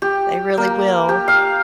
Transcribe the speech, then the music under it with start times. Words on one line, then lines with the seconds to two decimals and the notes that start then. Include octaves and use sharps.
They really will.
0.02 G4
0.57 A#3
1.09 G4
1.28 F5